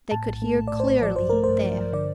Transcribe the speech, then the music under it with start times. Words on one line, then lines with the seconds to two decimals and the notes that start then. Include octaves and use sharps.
They could hear clearly there.
0.11 A2 A5
0.26 A#1
0.42 A3
0.57 A#1
0.67 A2 D5
0.80 C5
0.87 A#1
1.02 F3 D5
1.16 G2 C5
1.29 A3 A#4
1.44 G2 C5
1.63 F3
1.78 G2
1.93 D3 D5